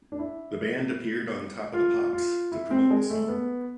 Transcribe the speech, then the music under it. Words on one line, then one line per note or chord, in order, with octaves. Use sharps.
The band appeared on Top of the Pops to promote the song.
D4
E4
F4
F4
E4
C4
G#3
A3
B3